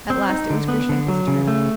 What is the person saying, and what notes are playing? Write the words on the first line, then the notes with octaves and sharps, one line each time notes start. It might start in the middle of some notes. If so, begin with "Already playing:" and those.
At last it was Grushenka's turn.
C4
D#4
D3
B3
D3
F#3
C#3
A3